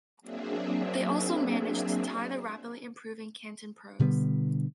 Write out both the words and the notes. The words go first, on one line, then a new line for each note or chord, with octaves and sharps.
They also managed to tie the rapidly improving Canton Pros.
F#3 A#3 C4 D4 G#4 E5
B2 D3 G3 B3